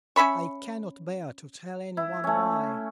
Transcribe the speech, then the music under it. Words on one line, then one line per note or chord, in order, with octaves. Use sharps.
I cannot bear to tell any one why.
C#4 E5 B5 C#6
E4
A3 C#4